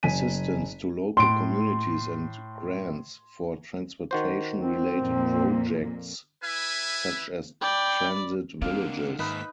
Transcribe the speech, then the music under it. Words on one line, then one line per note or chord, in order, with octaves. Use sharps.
Assistance to local communities and grants for transportation-related projects, such as transit villages.
F#1 G#5 B6 D#7
A2 C6 D7
D#3 F#4 C5
C4
F2 A#2 A#3
E4 B4 E5 G#5
D5 G5 B5
D#3 A#3 C4 D4 F5
G#2 D#3 A#3 D#4 B4 E5 B6